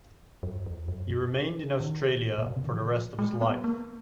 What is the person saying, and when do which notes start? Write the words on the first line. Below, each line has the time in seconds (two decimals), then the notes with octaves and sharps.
He remained in Australia for the rest of his life.
0.43 F#2
0.66 F2
0.88 F#2
1.80 D#3
2.38 A#2
2.46 B2
2.56 C#3
2.64 D#3
2.72 F3
3.19 G#3
3.42 B3
3.64 A#3